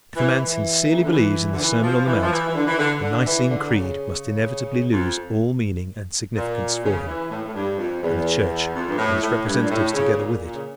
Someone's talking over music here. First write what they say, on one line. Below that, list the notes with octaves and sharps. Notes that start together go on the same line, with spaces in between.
If a man sincerely believes in the Sermon on the Mount, the Nicene Creed must inevitably lose all meaning and significance for him, and the Church and its representatives together with it.
E3
E3
A#2
C#3
D3
E3
D3
E3
F3
E3
F3
E3
E3
D3
E3
D3
D3
E3
D3
A#2
C#3
F2
A#2
C#3
E3
A2
A2
G2
F2
E2
F2
G2
A2
A2
G2
A#2
A2
C#3
A#2
A#2
C#3